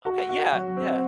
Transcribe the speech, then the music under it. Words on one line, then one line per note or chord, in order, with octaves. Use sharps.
Okay, yeah, yeah.
F#4
F#4
F#3
C4